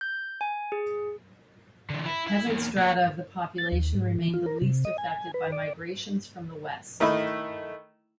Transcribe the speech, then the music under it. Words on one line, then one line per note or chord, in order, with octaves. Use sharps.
Peasant strata of the population remained the least affected by migrations from the west.
G6
G#5
G#4
D3 E3
E4
E4 E5
E2 A#3
A#3 C#5
A6
D#2
G#2
E3
F4
A#4
C3
D#5
G#5
B4
D5
D#3 A3 D#4 E4 B5